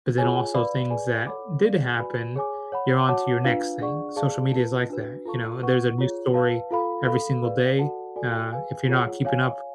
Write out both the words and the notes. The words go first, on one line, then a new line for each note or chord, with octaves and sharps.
but then also things that did happen, you're on to your next thing. Social media is like that, you know, there's a new story every single day, uh, if you're not keeping up
F4 G#4 C#5 G#5
B4 D5 F5 B5
G#4 B4 D5 G#5
A4 C#5 F#5 B5 D6
G#4 D5 F5
F#4 B4 D5 G#5 B5
G#4 C#5 G#5 D6
C#5 F#5 B5
F#4 C#5 F#5 A5 D6
D4 F4 B4 F5
D4 G#4 D5 F#5 C#6
G#4 D5 F5 A5
F4 B4 F5 A5
D4 F#4 B4
F4 A4 F5 A5 C#6
B4 F#5 C#6
F4 G#4 C#5
B4 F5 A5
F4 A4 F5 B5
A4 F5 B5
G#4 B4 D5 F5
F#4 A4 D5 F#5 A5
F#4 A4 D5 G#5
G#4 B4 F5 G#5
F4 G#4 C#5 F#5
C#5 F5 G#5